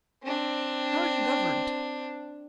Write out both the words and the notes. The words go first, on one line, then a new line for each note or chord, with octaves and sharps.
How are you governed?
C4 D4